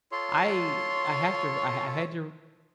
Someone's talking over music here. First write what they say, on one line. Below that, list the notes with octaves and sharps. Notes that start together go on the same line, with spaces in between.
I I have to I I had to
F4 A4 C#5 C6